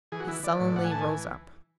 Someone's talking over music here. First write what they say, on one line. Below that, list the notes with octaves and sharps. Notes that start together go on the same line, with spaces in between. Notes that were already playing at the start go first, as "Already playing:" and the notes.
He sullenly rose up.
E3 G#4
F#4
E3 E4
E3 D5
A2
A2 F#5
G#5
E3 A5
G#5